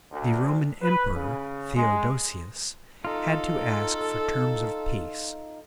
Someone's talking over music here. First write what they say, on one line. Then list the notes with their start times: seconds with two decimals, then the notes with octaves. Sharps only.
The Roman Emperor Theodosius had to ask for terms of peace.
0.12 D2
0.82 B4
1.16 C#3
1.75 G#3
3.05 D#4 F4 A4